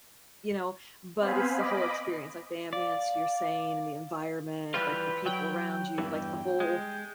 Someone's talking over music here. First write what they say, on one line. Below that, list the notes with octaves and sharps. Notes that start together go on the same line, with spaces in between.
you know, but it's the whole experience, like the ambiance you're saying and the environment, like, the people around you, like, the whole
B3 C4 C5 F5 G#5 B5
D#5 B5 D6
D5 F5
E3 G3 F4 B4
F#3 G5
E2 G2 E3
G#3